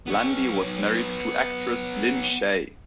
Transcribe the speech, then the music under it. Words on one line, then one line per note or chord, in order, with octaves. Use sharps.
Landey was married to actress Lin Shaye.
B3 C#5